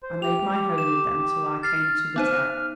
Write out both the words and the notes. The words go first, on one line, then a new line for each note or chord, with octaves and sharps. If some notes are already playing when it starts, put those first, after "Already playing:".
I made my home with them till I came to the Tech.
C5
G4 F7
E7
F6 A6 C7
B3 D#4 C5